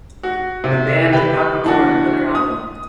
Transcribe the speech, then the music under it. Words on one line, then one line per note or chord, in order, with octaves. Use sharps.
The band did not record another album.
F#4
C3
G4 B4 G5
E3 D4 F#4
D#6